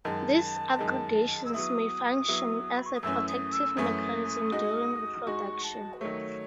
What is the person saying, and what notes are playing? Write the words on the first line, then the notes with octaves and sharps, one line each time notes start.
These aggregations may function as a protective mechanism during reproduction.
F#2 D#3 G#3 A5
F#2 D#3 G#3
E6
F#3 B3 E4 D#6
F#3 B3 E4
B5
C#6
D#6
F#2 E3 A3 C#4 E6
D#6
E6
F#2 E3 A3 C#4 D#6
G#3 D#4 F#4
G#3 D#4 F#4 C#6
A5
B4
D#3 F#3 A3 C#5